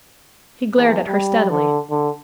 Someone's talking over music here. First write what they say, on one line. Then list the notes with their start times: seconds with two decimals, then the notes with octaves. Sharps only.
He glared at her steadily.
0.76 E2
1.08 G3
1.50 D3
1.90 D3